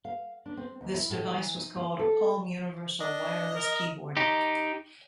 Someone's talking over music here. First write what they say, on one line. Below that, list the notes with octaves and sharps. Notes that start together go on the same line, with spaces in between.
This device was called a Palm Universal Wireless Keyboard.
F5
D4
C4
D#2
E4
A2
E3
D#4
F4
A4
D4 D#5
A#4
D#4 G4